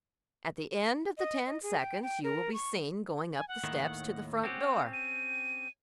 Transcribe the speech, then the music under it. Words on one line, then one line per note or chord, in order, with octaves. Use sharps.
At the end of the ten seconds you will be seen going up the steps to the front door.
D#5
D#5
G#4
G5
G5
A#4
C#6
G#5
F#5
D#2 A2 D#3
C4 C#4 G4 F#5
D#7